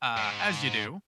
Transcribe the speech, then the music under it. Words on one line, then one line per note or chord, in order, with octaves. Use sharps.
uh, as you do,
G2
G#2